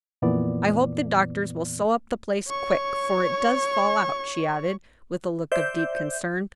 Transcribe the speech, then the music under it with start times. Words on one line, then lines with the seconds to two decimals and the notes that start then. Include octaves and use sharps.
"I hope the doctors will sew up the place quick 'fore it does fall out," she added, with a look of deep concern.
0.22 F2 A#2 E3 B3 D5
2.49 C#5 C#6
5.52 C5 D5 E5 G6